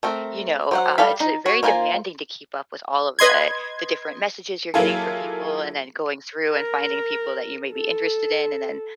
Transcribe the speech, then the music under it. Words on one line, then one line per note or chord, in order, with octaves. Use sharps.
you know, uh, it's very demanding to keep up with all of the the different messages you're getting from people and then going through and finding people that you may be interested in. And then,
A3 C4 A#4
F#3 C5 F#5
G3 A4 F5 B5
D#4
F#4 C#5
A#3 F4 B4 C5 G#5
B4 D#5 C6 G#6
F#3 A#3 E4 F4 G#4 A4
A#4
A4